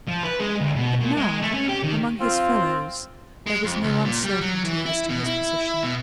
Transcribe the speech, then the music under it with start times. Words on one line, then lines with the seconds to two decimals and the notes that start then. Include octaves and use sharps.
But now, among his fellows, there was no uncertainty as to his position.
0.08 F3
0.24 B4
0.40 G#3
0.61 D2
0.76 B2
1.00 A#2
1.17 G#3
1.41 A3
1.53 C#4
1.68 G4
1.83 D#3
2.21 C4 F4 F5
3.47 G#3
3.64 F2
3.83 C#2
4.05 A#2
4.23 G3
4.41 F#3
4.64 E3
4.86 E4
5.09 B2
5.26 E4
5.84 B2